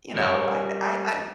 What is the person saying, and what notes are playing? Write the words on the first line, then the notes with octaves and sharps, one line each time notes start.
you know, I I I'm
G3 A#4 C#5